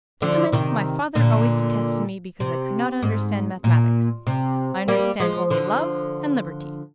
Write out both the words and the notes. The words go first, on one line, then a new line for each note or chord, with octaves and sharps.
Gentlemen, my father always detested me because I could not understand mathematics. I understand only love and liberty.
D3 F3
C3 D#3
A#2 D3
C3
G#2
A#2
C3
G3 A#3
F3 G#3
D3 F3